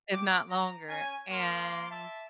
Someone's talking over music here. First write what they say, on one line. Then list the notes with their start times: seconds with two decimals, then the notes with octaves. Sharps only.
if not longer, and
0.12 A#3 G5 D6
0.49 A#5
0.89 C#4 G#5
1.30 A#3 A#4 F5 C6 D6
1.90 E5 A5